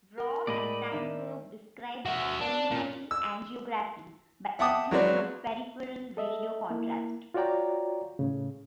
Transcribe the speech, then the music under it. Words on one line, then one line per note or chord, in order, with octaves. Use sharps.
Robb and Steinberg described pulmonary angiography by infusion of peripheral radiocontrast.
A#4
A2 G#3 D5 D#5 B5 A#6
D#3 D4 E5
F#4 E5
D4
A#2
E6
E5 F#5 G5 A5 D6 D#6
F#3 G#3 C4 B4 C#5 D5
A4 D#5 E5
A#3 E4
F4 F#4 C#5 D5 G5 A#5
A2 C#3